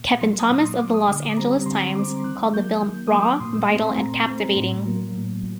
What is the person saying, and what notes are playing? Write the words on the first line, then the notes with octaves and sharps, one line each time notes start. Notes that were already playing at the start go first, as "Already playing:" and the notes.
Kevin Thomas of the "Los Angeles Times" called the film "raw, vital and captivating".
Already playing: A#2
F#3 A#3 C6
D#6
A#2 D6
C6
F#3 A#3 D6
D#6
D3 D6
G3 C4 A#5
D3 C6
G3 C4 D6
D#3 F#6
F#3 A#3 G6
D#3
D#6
F#3 A#3 D6
A#2 C6
A3 C4
C6
A#2 A#5
A3 C4
A2
F#3 A#3
A2
F#3